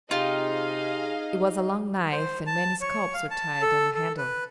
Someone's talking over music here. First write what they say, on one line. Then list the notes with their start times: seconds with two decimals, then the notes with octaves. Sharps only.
It was a long knife and many scalps were tied on the handle.
0.11 C3 D#4 F4 G4 G#4 D#5 F5
2.12 C5
2.46 A5
2.81 C#5
3.14 F5
3.31 A5
3.62 A4
3.95 A4
4.17 B4